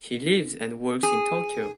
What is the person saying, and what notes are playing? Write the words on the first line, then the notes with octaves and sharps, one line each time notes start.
He lives and works in Tokyo.
G#4